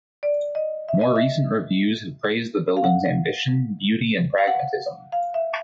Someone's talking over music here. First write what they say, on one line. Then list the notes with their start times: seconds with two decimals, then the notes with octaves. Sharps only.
More recent reviews have praised the building's ambition, beauty, and pragmatism.
0.23 D5
0.55 D#5
0.88 E5
1.01 D#5
1.16 E5
2.77 F5
2.84 F#5
4.38 F5
4.48 F#5
5.12 F5
5.34 E5